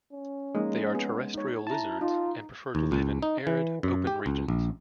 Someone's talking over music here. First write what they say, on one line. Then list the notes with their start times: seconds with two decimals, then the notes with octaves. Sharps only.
They are terrestrial lizards and prefer to live in arid, open regions.
0.13 C#4
0.55 F3 G#3 A#3 D#4
0.95 B3 G#4 B4
1.34 D#4 C#5
1.67 E4 A5 A#5
2.01 D#4 F4
2.75 D#2
2.92 C#2
3.23 D#4
3.47 E3
3.83 F#2
4.07 G4
4.26 C#2
4.48 A#1